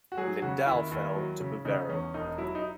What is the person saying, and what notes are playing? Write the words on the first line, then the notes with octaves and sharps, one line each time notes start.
Lindau fell to Bavaria.
F#4
F#3 G#4
C#3 F#4
D#2 E4
D#2 E4
F#3
C#3
C#3 D#4
E2 C#4
E1 D#4
F#3 E4
D#4